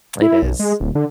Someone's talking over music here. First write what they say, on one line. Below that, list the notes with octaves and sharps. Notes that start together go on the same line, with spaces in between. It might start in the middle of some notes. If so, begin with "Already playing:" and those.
It is.
E4
B1
G#3
D1
D3